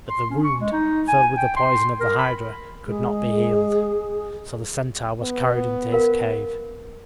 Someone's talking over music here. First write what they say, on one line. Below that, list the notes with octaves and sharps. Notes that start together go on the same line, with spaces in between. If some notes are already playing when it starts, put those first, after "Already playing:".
But the wound, filled with the poison of the hydra, could not be healed; so the centaur was carried into his cave.
C6
C#4
C#6
G#3
D#4
G#5
G5
C6
A#4
B5
G#3 G#4
B3
A#4 F5